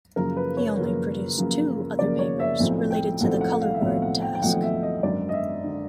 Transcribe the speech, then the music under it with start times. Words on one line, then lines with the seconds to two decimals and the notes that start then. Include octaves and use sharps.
He only produced two other papers related to the color-word task.
0.16 F#2 C#3 F3 A#3 A#4
0.37 B4
0.57 C#5
0.77 F#2 C#3 F3 A#3
1.38 F#2 C#3 F3 A#3
1.99 F#2 C#3 F3 A#3 D5
2.19 C#5
2.40 E5
2.59 B1 A2 F3 A3 C4
2.91 G5
3.20 B1 A2 F3 A3 C4 F#5
3.41 F#5
3.61 F5
3.74 E5
3.81 B1 A2 F3 A3 C4 F5
4.02 F#5
4.22 G5
4.35 G5
4.42 B1 A2 F3 A3 C4 F#5
4.62 E5
4.83 D#5
5.03 G#1 F#2 D3 D5
5.29 D#5
5.33 E5
5.64 D3